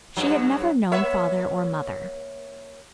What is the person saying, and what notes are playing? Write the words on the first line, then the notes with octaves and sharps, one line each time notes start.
She had never known father or mother.
G2 F#3
A#3 C#5 E5